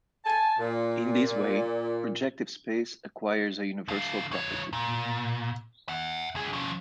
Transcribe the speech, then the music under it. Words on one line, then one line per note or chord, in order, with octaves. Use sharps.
In this way, projective space acquires a universal property.
G#5 A5
A#2
D3 F5
F3 C#5
A#2
E5 F#5
C#2 G#4
F3 C#4